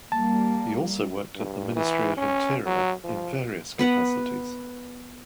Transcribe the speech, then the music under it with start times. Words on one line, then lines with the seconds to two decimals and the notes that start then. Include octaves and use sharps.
He also worked at the Ministry of Interior in various capacities.
0.12 G3 A#3 A5
1.36 G2
1.76 E3
2.17 C#4
2.66 F#3
3.04 F3
3.79 B3 B4 F#5